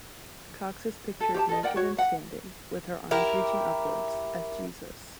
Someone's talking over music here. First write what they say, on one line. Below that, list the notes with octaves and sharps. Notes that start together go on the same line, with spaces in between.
Cox is pictured naked and standing, with her arms reaching upwards, as Jesus.
A4
G4 C#5 A5
A4 D#5
A#4 D5 F#5 G5
F#4 C#5
F#5
E4 G4 A#4